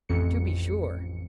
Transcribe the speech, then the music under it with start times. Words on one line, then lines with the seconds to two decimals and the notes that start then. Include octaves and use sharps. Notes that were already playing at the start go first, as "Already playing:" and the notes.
To be sure.
0.09 A1 F2 C#7